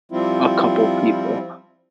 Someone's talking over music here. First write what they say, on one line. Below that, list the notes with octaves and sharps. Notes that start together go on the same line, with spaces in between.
a couple people,
F3 G3 C4 E4 F4